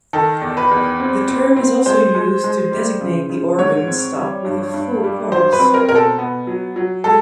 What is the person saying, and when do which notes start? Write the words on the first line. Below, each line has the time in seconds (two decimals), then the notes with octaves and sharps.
The term is also used to designate the organ stop with a full chorus.
0.13 D#3 A4
0.42 E2
0.57 B4
0.71 E2
1.00 C4
1.28 C4
1.56 C4
1.86 G#3 C5
2.15 G#3
2.44 G#3
2.72 G3
3.01 C#3
3.29 C#3
3.59 G#2 C#5
3.88 C4
4.17 G3
4.45 G2
4.74 G2
5.03 G3
5.31 F#3 C5
5.53 B4
5.60 C4
5.74 A#4
5.89 B2 A#4
5.95 A4
6.18 B3
6.47 F#3
6.76 F#3
7.04 G#3 A4